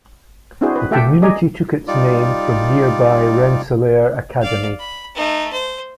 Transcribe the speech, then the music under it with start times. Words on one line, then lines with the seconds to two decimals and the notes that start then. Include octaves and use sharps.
The community took its name from nearby Rensselaer Academy.
0.61 C4 D4 E4 F#4 G#4 C5
0.76 B4
0.91 A3 G4 E5 F#5 G5 A5
1.22 G3 G#4 D5 D#5 G#5 A#5
1.88 G3 D#4 F4 D5
4.42 D5 F5
4.79 B5
5.15 A3 D#4
5.53 C5